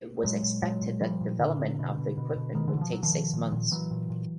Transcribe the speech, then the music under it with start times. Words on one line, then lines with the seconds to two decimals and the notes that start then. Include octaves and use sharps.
It was expected that development of the equipment would take six months.
0.24 A#2 F#3 G#3
0.43 A#2
0.63 A#2 F#3 G#3
0.81 A#2
1.00 A#2 F3 G3
1.21 A#2
1.39 A#2 D3
1.60 A#2
1.79 B2
1.98 B2
2.18 B2
2.36 B2
2.55 B2 D#3
2.68 D3 E3
2.75 B2
2.81 F3
2.92 B2 F#3
3.03 D#3 F3
3.13 B2
3.33 A#2
3.52 A#2
3.71 A#2 E3 F#3
3.91 A#2
4.10 A#2